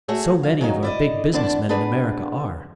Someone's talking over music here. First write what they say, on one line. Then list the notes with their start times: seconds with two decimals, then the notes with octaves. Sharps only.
So many of our big business men in America are.
0.08 A3 F#4 G#4 C#5 E5
0.43 F5
0.61 C#3 F#3 D#4
0.83 E4 D5 D#5
1.33 E2 B3 C4 D4 D5 A5
1.69 B3 D4 G#4 B4 D5